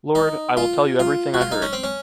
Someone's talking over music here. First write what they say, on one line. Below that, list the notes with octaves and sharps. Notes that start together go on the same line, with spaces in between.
Lord, I will tell you everything I heard.
D#4
F4
F4
F#4
F4
D#4
C#4
C4
C#4